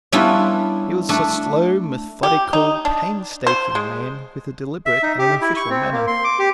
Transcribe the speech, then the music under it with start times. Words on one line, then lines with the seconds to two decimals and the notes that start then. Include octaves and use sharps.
He was a slow, methodical, painstaking man, with a deliberate and an official, manner.
0.12 G3 B3 C#4 D4 E4 F4
1.09 A3 D4
2.23 G4
2.53 D#4
2.85 D4
3.47 C5
3.75 G#3
4.86 E5
5.03 D#4
5.19 G4
5.42 E4
5.56 C#6
5.70 C4
5.92 A#3
6.07 C6
6.24 D6
6.39 G4